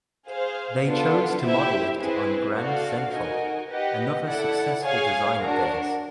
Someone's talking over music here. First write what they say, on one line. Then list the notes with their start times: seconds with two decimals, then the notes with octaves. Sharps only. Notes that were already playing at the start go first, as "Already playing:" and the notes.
They chose to model it on Grand Central, another successful design of theirs.
0.28 G#4 C5 F5
0.85 B3 D4 F4 A4
1.42 E4 G4 C5 E5
1.98 C4 E4 G#4 B4
2.55 D4 F#4 A4 D5 F5
3.12 D#4 F#4 A#4 D#5 G#5
3.69 G4 B4 D#5 F#5
4.26 E4 A4 D5 F#5
4.83 G#4 C#5 F5 G#5
5.39 D4 F#4 A#4